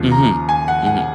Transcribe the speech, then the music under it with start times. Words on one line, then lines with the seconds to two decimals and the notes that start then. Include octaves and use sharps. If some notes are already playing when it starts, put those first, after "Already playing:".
Mhm. Mhm.
Already playing: D#2 C#3 F3
0.12 A#5
0.49 G#5
0.68 F#5
0.87 F#5